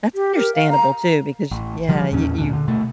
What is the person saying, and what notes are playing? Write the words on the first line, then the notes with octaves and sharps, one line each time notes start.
That's understandable, too, because, yeah, you you
G4
A#4
F5
A#5
A1
D3 F3 G3
A1 E2 A#2 C#4
D2 A#2
D3
B2 A3